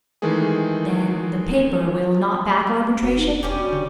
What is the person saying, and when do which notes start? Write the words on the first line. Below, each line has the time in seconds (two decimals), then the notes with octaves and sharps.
"Then the paper will not back arbitration?"
0.22 D#3 E3 G#3 A3 G#4
3.02 F1 F#4
3.16 D#4
3.28 D4
3.43 E1 G3 C#4 G4
3.55 F#4
3.73 D3